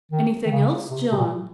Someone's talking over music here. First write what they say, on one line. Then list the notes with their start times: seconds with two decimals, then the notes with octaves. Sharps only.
"Anything else, John?"
0.11 D#3
0.46 D#3
0.51 C#3
0.90 C3
1.12 C3
1.16 A#2